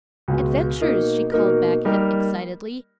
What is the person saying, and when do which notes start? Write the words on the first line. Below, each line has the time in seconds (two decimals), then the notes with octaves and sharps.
"Adventures!" she called back excitedly.
0.28 C#2 B2 G#3
0.80 B2 A#3 D#4 A#4
1.32 B2 A#3 D#4 A#4
1.85 G3 A#3 D#4 A#4